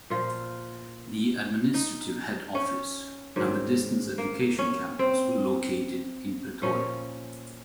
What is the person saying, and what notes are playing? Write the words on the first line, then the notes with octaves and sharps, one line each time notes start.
The administrative head office and the Distance Education Campus were located in Pretoria.
A#2 F3 F4
D#4
C#4
G#2 D#3 F#3
A#3
C#4
C4
A#2 F3 C#4